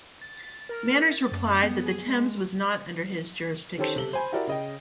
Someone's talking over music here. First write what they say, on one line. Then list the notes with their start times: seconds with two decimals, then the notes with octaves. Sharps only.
Manners replied that the Thames was not under his jurisdiction.
0.21 A6
0.69 A#4
1.05 A6
1.31 F#2
1.63 B3
1.84 G#4
2.07 G#3
3.78 D#3 C#4 G4 A4 C5
3.96 C3 A4 F#7 G7
4.13 C5 G#5 B5
4.32 E4 F#4 G4 A#4 D5 E5
4.47 C#3 D#5 G5